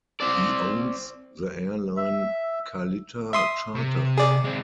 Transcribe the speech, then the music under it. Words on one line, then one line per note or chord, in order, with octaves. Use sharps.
He owns the airline Kalitta Charters.
C4 D5
E5
E5 C6 D#6
C3
G#4 D5
G#3 C4